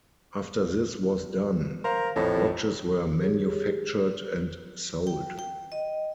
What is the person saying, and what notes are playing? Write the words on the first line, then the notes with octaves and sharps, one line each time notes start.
After this was done, watches were manufactured and sold.
A#4 C5 F5
A#1 F2 A2
G4 G#4 C#5
G5
G5
D#5